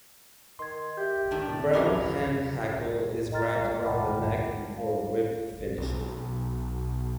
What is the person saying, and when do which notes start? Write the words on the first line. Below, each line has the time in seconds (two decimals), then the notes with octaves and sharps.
A brown hen hackle is wrapped around the neck before whip finishing.
0.59 D#3 C6 G#6
0.97 G4 E5 G6
1.31 A2 D#3 D4
1.59 C4
1.73 F#2 D3 C#4 G4 A#4 B5 D6
3.32 D#5 G5 A#5 C6 F6 A6
3.84 F#5 G5 A5 B5 D6
4.77 C5 F5
5.78 B1